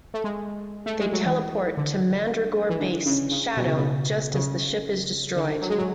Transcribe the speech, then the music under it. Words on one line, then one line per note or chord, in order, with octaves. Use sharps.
They teleport to Mandragore base Shadow just as the ship is destroyed.
A3
G#3
A3
G#3
F#3
E3
D3
E3
D3
C#3
C#3
B2
C#3
B2
C#3
D3
F#3
G#3
F#3